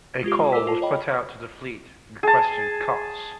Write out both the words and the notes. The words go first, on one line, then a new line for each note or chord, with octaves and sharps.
A call was put out to the fleet requesting cots.
G#3 F4 G4
A4 A#4 C5 D6 E6 B6
F4 A5
C#5 D#5 G5 B5
G#4 A5